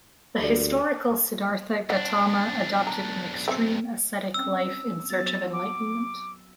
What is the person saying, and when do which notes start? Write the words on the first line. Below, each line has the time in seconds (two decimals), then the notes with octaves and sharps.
The historical Siddhartha Gautama adopted an extreme ascetic life in search of enlightenment.
0.41 D2 G4 A4 D5
1.90 B1 D4 F#5
2.87 A#5
3.48 C4 E5
4.34 C4 C#4 G5 E6
5.10 F#3 B3 F#4 A6
5.53 F#5 D6